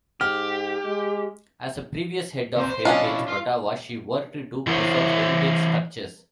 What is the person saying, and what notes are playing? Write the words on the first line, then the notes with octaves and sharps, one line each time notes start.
As a previous head of Heritage Ottawa she worked to preserve heritage structures.
G#2 G4 F6
G#3
C3 C5
C5
C2 C#4 D4 F4 D#5
B2 E4
F4
E3 E4 G#4 A4 C5 C#5